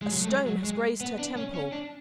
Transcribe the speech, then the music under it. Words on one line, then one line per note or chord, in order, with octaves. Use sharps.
A stone has grazed her temple.
G#3
F#3
A3
G#3
F#3
G#3
B3
D4
C#4
C#4
D4